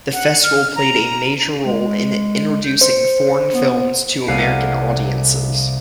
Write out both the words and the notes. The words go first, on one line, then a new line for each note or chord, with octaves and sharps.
The festival played a major role in introducing foreign films to American audiences.
F#5
F6
A#5
G#3
G6
C5 C#7
B3
C2 A3 F5 F#5 C7 D#7